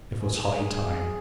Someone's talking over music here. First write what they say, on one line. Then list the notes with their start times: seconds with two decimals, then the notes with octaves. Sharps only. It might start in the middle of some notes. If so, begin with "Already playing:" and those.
It was high time.
0.22 G#4